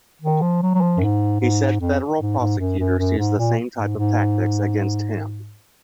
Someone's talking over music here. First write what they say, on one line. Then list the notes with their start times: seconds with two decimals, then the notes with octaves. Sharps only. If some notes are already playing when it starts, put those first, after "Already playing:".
He said federal prosecutors used the same type of tactics against him.
0.22 D#3
0.42 F3
0.62 F#3
0.75 F#3
0.81 F3
0.98 F#2
1.01 G#2
1.40 G#2
1.80 F2
2.20 G#2
2.40 G#2
2.59 F#2
2.80 F#2
2.98 F#2
3.18 G#2
3.38 A#2
3.77 G#2
3.97 G#2